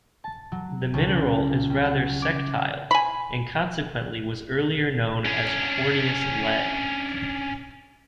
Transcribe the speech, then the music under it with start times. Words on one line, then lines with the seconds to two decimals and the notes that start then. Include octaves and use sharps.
The mineral is rather sectile, and consequently was earlier known as corneous lead.
0.24 A5
0.52 F#3
0.94 C#2
1.70 G3
1.85 F#5
2.22 D6
2.91 G#5 B5
5.25 C#4 D4